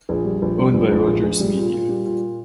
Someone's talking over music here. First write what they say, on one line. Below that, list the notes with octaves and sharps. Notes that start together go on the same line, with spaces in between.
Owned by Rogers Media.
A#1 G#4
G3
A#1
G3
A#1
A#1
A#2 G#4
A#1
G3
A#2
A#2
G3
A#2